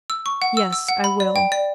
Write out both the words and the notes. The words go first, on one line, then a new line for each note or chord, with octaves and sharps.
"Yes, I will."
E6
C#6
F#5
E6
E6
F#5
B5
D5
G5
D5